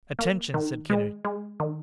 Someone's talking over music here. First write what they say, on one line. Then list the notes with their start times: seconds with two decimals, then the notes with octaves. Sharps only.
"Attention!" said Kennedy.
0.19 A#3
0.54 D#3
0.90 G#3
1.25 G#3
1.60 D#3